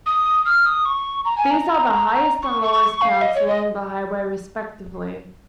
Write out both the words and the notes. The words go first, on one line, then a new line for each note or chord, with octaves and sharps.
These are the highest and lowest counts along the highway, respectively.
D#6
F6
D#6
C#6
A#5
G#5
A#5
C#6
C#6
C#6
F5
D#5
C#5
D#5